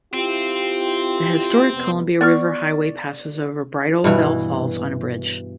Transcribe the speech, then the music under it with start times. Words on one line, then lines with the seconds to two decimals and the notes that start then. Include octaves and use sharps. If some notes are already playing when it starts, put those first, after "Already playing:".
The Historic Columbia River Highway passes over Bridal Veil Falls on a bridge.
0.13 C4 E4 F4 G4
1.74 F2 C3 B3
2.21 B3 D5 C#6 F6
4.04 G2 B2 E3